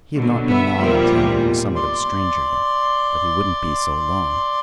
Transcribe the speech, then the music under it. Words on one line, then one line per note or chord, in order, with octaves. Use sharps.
He had not been long in town and was somewhat of a stranger yet, but he wouldn't be so long.
B2 D3 F#3
B3 E5
A#2 F3 G3 A#3 F4
E2 G#2
D5 C6